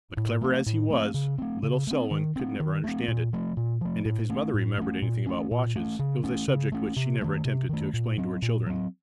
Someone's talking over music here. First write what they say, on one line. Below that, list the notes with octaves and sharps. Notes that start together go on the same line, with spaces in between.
But clever as he was, little Selwyn could never understand it, and if his mother remembered anything about watches it was a subject which she never attempted to explain to her children.
A2
A3 C4
A2
A3 C4
C#3
A3 C4
C#3
A3 C4
D#3
A3 C4
D#3
A3 C4
A#2
F3 A3
A#2
F3 A3
A2
A3 C#4
A2
A3 C#4
A#2
A3 C#4
A#2
A3 C#4
C#3
A3 C#4
C#3
A3 C#4
C3
D#3 A3
C3
D#3 A3
A#2
F#3 C4
A#2
F#3 C4